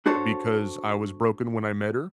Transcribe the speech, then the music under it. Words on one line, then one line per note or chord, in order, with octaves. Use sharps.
because I was broken when I met her,
D4 F#4 A4 C5 C#5